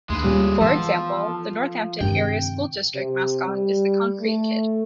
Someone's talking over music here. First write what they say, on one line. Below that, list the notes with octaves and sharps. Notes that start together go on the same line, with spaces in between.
For example, the Northampton Area School District mascot is the Konkrete Kid.
D2 G#3 B4
A#2 G3 C#4
E3 F3 G#3 B3 A5 E6
A4
G2 C3 D#3 G#3 G5
C3
G3
A3